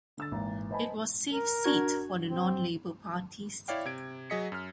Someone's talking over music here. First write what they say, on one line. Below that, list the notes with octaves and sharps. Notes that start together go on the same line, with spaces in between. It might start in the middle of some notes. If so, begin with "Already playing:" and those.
It was safe seat for the non-Labor parties.
D3 E6 A6
G#1 A#2 E3 A#5
B4 C5 D#5 G#5 A5 B5
A#4
D4 F#4 G#6
C4
E4 C#5 D5 F5 G5
C3 G#6 D7
F#3 G#4 D#5 B6 C#7
F#2 F6